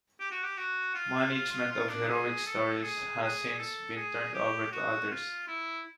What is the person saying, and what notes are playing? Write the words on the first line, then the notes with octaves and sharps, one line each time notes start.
Management of "HeroicStories" has since been turned over to others.
G4
F#4
G4
F#4
F4
F4
F4
F4
D4
G#4
A4
G#4
G#4
A4
G#4
G4
F#4
F4
E4